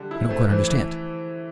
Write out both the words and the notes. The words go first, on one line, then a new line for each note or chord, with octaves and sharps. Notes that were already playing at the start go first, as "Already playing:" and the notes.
"I don't quite understand."
Already playing: D3 G3
E4
A3 C5
B4
E3 C5
E3